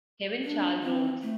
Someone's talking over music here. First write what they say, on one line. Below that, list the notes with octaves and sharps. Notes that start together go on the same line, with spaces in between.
Kevin Carl Rhoades.
D4
C4
A3